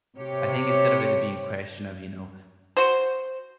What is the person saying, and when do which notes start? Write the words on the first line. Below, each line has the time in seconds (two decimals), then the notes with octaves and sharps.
I think instead of it being a question of, you know
0.17 C3 G4 C#5
2.77 F#4 C5